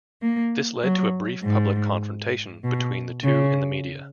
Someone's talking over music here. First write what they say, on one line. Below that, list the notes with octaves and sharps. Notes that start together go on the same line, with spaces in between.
This led to a brief public confrontation between the two in the media.
A#3
F#3
G#2
B2
C#3